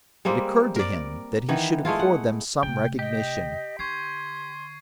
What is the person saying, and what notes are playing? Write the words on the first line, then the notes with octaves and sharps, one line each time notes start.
It occurred to him that he should accord them some recognition.
G3 G#3 A#3 C4
A#4 D5
D#3 E3 B3
G#3 A3 E4 F4
F#5
C3 A3 G5
G4 D#5 G5
D3 C6 C#6 G#6 C7